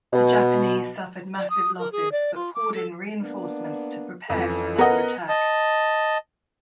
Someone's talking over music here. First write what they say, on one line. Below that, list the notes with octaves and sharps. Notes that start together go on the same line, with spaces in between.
The Japanese suffered massive losses, but poured in reinforcements to prepare for another attack.
B2
D5
D#6
A#4
G#4
D5
F4
D6
A4
A#3 B3 D4
F2 E3 C#4 F4 A4
B3 A#4 B4 D#5 F#5
D#5 A5